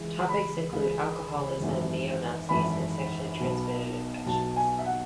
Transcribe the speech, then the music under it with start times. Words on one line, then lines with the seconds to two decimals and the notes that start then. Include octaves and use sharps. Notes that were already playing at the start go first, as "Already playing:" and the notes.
Topics include alcoholism, Neo Nazis and sexually transmitted infections.
Already playing: C#2 C#3 E3 G#3
0.29 B5
0.72 C#2 C#3 E3 G#3
1.60 G#1 F#2 E3 A3
2.49 G#1 F#2 E3 A3 B5
3.38 B1 B2 F#3
4.26 B1 B2 F#3 A5
4.56 G#5
4.79 E5
4.85 F#5